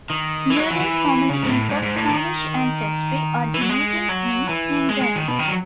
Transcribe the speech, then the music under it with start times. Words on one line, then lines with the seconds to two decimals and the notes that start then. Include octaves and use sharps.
Uren's family is of Cornish ancestry, originating in Penzance.
0.10 D#3
0.50 E3
0.56 G#3
0.60 F#3
0.70 E3
0.81 E3
1.30 C#3
1.43 G#2
1.49 A2
1.69 G#2
1.83 G#2
1.96 A2
2.09 D#3
3.54 E3
3.61 F#3
3.69 G#3
4.09 F#3
4.49 E3
4.89 G#3
5.02 G#3
5.16 D#3
5.28 B2
5.39 D#3
5.48 F#3